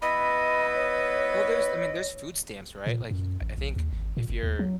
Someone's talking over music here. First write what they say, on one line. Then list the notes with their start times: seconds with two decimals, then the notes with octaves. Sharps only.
Well, there's I mean, there's food stamps. Right? Like, I I think if you're
0.02 B3 E4 B4 D#5 B5
0.75 C#5
2.86 A#2
3.11 F#2
3.42 A1
3.58 A#1
3.76 D#2
3.93 G#1
4.17 A#2
4.30 F#1
4.43 D#2
4.59 F#3